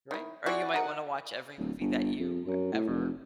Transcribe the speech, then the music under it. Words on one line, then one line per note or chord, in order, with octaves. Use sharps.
Right, or you might wanna watch every movie that you ever
D#3 E4
C4 E4 F#4 G#4 D5
D#4 A#4 F#5
D1
G1
F2
F#2
A2
F1